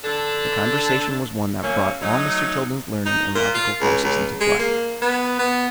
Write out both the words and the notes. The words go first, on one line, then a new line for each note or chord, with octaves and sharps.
The conversation was one that brought all Mr. Tilden's learning and logical forces into play.
D3 D4 A4
F#3 A3 A#3 C#4
F#3 A3 D#4
D#4
A#2
F4
C#2
C#2
G#3
A#3
B3
B3